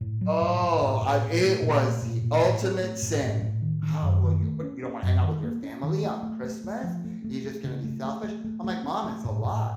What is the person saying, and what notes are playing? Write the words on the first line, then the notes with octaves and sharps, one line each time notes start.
Oh, I it was the ultimate sin. "How will you what, you don't wanna hang out with your family on Christmas? You're just gonna be selfish?" I'm, like, "Mom, it's a lot,
A2
F#3
A2
A2
A2
A2
A#2
A3
A#2
A3
A#2
A#2
A2
C4
A3
A2
A2
A2
D#3
D#3
F#2
D#3
A3
C#4
C#4
F#2
D#3
A#3
C#4
D#3
A3
A3
A3
A3
F3
A3
A3
A3
C#3
A3
A3
A3
A3
A3
C4
A3
A2
A2